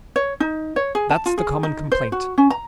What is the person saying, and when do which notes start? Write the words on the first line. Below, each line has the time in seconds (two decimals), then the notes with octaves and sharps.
That's the common complaint.
0.16 C#5
0.40 D#4
0.76 C#5
0.95 G#4
1.10 A5
1.26 F4
1.38 G#4
1.63 D#4
1.92 C5
2.12 F#4
2.38 C#4
2.50 A#5